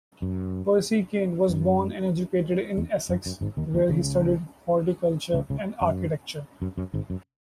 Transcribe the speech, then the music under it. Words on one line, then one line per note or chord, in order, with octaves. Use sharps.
Percy Cane was born and educated in Essex where he studied horticulture and architecture.
F#2
F#2
E2
F#2
F#2
G#1 G#2
D#2 D#3
D#2 D#3
C#2 C#3
C#2 C#3
C#2 C#3
F#2
F#2
F#2
G#1 G#2
F#2